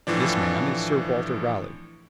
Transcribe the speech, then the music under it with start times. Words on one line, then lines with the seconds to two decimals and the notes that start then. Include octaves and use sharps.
This man is Sir Walter Raleigh.
0.07 A2 E3 F3 D4